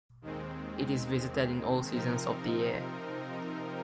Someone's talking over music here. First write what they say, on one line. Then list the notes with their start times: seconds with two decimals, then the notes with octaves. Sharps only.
It is visited in all seasons of the year.
0.21 D#2 D#3 G#3 C4
1.90 C3 F3 C4 D#4 A#4